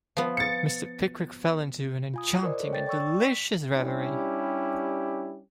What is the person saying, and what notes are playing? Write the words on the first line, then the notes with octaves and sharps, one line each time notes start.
Mr. Pickwick fell into an enchanting and delicious reverie.
F3 B3
A6 C#7
F4 G#5 D#6
A#4 C5 D5 D#5
A4 C#5
G5 A6
D5 G5 C#6 E6
B6
G3 C#4 D4 E4 G4